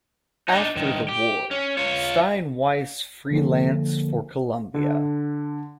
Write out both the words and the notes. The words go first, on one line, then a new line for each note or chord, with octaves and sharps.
After the war, Steinweiss freelanced for Columbia.
D4 D#4
G2 D#3
G4
C#4
F4 C#5
D3 F3 A#3 A4
D3